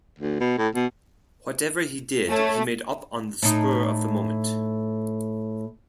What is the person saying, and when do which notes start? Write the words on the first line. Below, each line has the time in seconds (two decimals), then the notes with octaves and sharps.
Whatever he did, he made up on the spur of the moment.
0.19 D2
0.40 B2
0.58 A2
0.75 B2
2.29 A3 C#5
3.43 A2 D#4